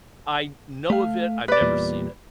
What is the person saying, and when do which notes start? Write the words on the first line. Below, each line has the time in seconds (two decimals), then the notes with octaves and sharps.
I know of it. I've never seen it.
0.90 A3 F5
1.48 B4 D5
1.61 E2 A#2 G3